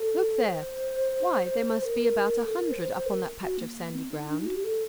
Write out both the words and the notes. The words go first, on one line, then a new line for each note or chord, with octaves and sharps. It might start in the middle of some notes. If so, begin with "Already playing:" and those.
Look there; why, there must be about a hundred up on that patch of sandy ground.
Already playing: A4
C5
A#4
A4
A#4
C5
C5
A#4
F#4
A#3
C4
D#4
D4
D#4
F#4
G4
A4